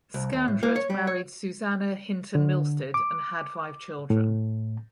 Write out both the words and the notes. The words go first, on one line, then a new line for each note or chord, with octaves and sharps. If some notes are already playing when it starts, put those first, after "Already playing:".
Scandrett married Susannah Hinton Milstead and had five children.
C2
D#2
A2
A#3
C#5
G3
C#5
D3
D6
A2